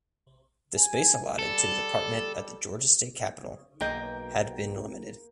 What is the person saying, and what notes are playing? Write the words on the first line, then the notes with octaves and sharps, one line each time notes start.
The space allotted to the department at the Georgia State Capitol had been limited.
G#5
G3 A4
B1 A#3 G#4 D#5 G5 G6